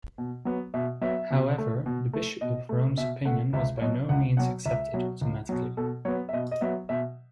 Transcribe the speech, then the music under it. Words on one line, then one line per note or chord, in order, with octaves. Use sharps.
However, the Bishop of Rome's opinion was by no means accepted automatically.
B2
F#3 B3
B2 E5
F#3 B3 E5
B2
A3
B2
A3
B2 D#5
A3
B2 E5
A3 F#5
C#2 E5
C#5
B2 F#3 D#5
C#2 F#5
B2 F#3 F#5
C#2 E5
B2 F#3
C#2
B2 F#3
B2 A4
F#3 B3 C#5
E5
B2 D#5
D#5
F#3 B3 E5
B2 E5